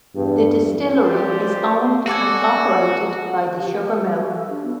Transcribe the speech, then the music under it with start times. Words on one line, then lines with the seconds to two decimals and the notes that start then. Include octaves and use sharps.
The distillery is owned and operated by the sugar mill.
0.14 E2 G2
1.02 A2 C#3 G4 C5 D5
2.07 F#4 A4 D5 G#5
3.57 G4
4.01 G3
4.17 F#4
4.35 A4
4.50 D4
4.64 B3